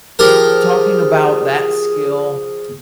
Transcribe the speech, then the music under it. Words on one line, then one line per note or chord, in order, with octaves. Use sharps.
t talking about that skill,
F3 G4 G#4 A#4